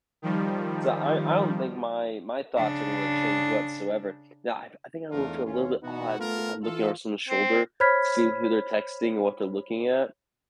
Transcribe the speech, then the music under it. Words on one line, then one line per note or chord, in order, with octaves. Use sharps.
So I I don't think my my thoughts are gonna change whatsoever. Now, I I think I will feel a little bit odd if I'm looking over someone's shoulder, seeing who they're texting or what they're looking at,
D#3 F3 G3
C#3 D4
E2 G#2 A3 D4 F4 A#4
D#2 C#4 F4
B2 E3 B3 D#4 F#4
A3 B3 F4 A4 A#4
E3 F4 A4
C4
C5 C#5 B5 F6 G#6 B6